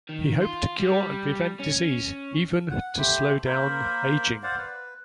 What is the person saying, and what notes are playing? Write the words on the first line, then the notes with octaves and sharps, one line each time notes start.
He hoped to cure and prevent disease, even to slow down aging.
D#3
F4
G3
C#4
F#5
A3 G4 C5 B5
A#3 A#4 C5 B5
C5 D5 F5 F#5
B4